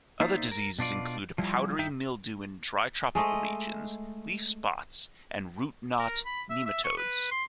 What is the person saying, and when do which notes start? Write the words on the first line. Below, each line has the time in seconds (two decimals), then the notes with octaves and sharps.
Other diseases include powdery mildew in dry tropical regions, leaf spots, and root-knot nematodes.
0.20 A#3 D#4 C5 D5 E5
0.51 A#4
0.79 B2 D4 F4 D5
1.38 F3 G3 E4
1.79 G2 D#4 E5 G5
3.15 G#3 A3 D#5
6.00 A#4
6.26 B5
6.50 E5
6.66 E5
6.85 C#6
6.98 B4
7.31 C6